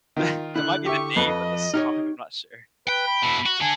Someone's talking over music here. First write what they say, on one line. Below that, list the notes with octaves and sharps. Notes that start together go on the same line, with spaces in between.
That that might be the name of the song, I'm not sure.
D#3 F4
D3 E4 F#6
G4 E5 C#6
F2 F3 B4 D#5
D#4 G4 C#5 F6
B4 G5
B5
B2 E4
F#4
D4 A4 G#5